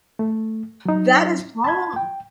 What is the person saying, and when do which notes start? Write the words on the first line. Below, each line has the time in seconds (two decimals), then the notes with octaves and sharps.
that is wrong.
0.19 A3
0.86 F#3 D#4
1.64 A5 B5 G#6
1.96 G5